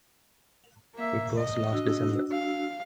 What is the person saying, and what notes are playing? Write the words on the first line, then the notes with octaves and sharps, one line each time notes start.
It was last December.
A#3 E5
D#5
D4 F#4 E6
F5